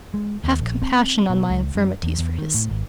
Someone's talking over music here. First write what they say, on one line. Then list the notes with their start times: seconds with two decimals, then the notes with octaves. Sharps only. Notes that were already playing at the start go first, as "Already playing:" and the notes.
Have compassion on my infirmities for his sake.'
0.14 G#3
0.44 D#2
0.60 A#1
0.82 C4
1.30 B2
1.50 C#2
1.75 F#2
2.03 E2
2.19 E2
2.38 D#3
2.54 A2
2.69 G#1